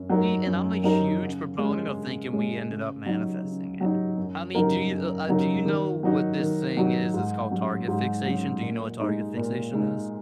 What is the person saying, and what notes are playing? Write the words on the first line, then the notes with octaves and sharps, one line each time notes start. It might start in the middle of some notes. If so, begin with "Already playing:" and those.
See, and I'm a huge proponent of thinking we ended up manifesting it. I mean, do you uh, do you know what this thing is? It's called target fixation. Do you know what target fixation is?
Already playing: F#2
F#3 D#4 A#4
F#2
F#3 D#4 A#4
C#3
G#3 C#4
C#3
G#3 C#4
C#3
F#3 D#4
C#3
F#3 D#4
F#2
C#3 F#3 D#4 A#4
F#2
C#3 F#3 D#4 A#4
D#3
F#3 D#4 F#4
D#3
F#3 D#4 F#4
G#2
F#3 C#4
G#2
F#3 C#4
A#2
G#3 D#4
A#2
G#3 D#4